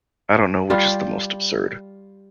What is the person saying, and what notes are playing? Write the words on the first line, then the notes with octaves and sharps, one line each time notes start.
I don't know which is the most absurd.
G3 F4 G4